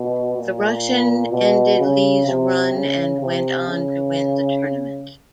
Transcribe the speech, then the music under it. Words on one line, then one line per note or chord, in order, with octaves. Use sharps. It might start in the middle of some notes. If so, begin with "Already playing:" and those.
The Russian ended Li's run and went on to win the tournament.
Already playing: B2
A#2
B2
C#3
C3
C#3
C3
C#3